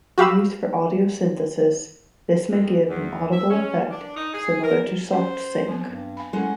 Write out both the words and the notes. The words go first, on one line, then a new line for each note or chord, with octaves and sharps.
Used for audio synthesis, this may give an audible effect similar to Soft Sync.
F#4 G4 F5 B5 E6
F2
E2
E5
C#4
D4
D#4
G#4
A#4
C#4 G4 C5
F3 F#3 B3 C4
G2
F5 G#5 B5
G#3 C#4 E4 A4 F#5